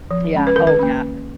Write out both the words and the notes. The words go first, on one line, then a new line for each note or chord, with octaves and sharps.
Yeah oh, yeah.
F3
G#3 C#4
B4
D#3 A#4
B4
A#3 C#4